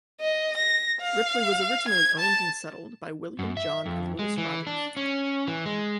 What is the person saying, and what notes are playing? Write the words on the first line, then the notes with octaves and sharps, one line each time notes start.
Ripley was originally owned and settled by William, John, and Lewis Rodgers.
D#5
A#6
F5
G#6
A5
F#2
E5
F2
G#3
E3
D4
C#4
E3
G#3